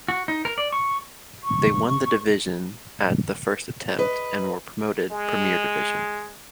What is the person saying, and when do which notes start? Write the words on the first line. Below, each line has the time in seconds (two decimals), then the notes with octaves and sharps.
They won the division at the first attempt and were promoted Premier Division.
0.08 F#4
0.28 D#4
0.45 A#4
0.58 D5
0.73 C#6
1.44 C#6
3.99 B4 D#5
5.12 G#3